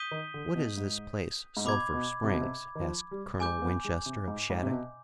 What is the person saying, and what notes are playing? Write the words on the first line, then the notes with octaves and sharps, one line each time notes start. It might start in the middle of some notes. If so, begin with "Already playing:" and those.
"What is this place, Sulphur Springs?" asked Colonel Winchester of Shattuck.
Already playing: D#6 G6 B6 D#7 G7
D#3
D3
B2
G#2
G#2
B2 B5 D6 G#6
B2
C3
B2
C3
D#3
F3
G3
G#3 G#5 D6 G6
G#3
B3
G#3
C3
G#2
G#2
C3
B2